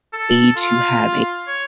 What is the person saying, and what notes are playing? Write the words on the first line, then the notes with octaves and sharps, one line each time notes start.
stage to have a
A4
F4
C#5